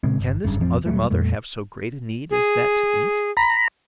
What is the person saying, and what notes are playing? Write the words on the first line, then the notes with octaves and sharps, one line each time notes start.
Can this other mother have so great a need as that to eat?
A#2 C#3 G#3 C4
G1
F#1 G2 C#3
A1 F2 F3 C4
D#1 F#3 G3 A3
F2 A#2 G3 A3
G#4
A#5 B5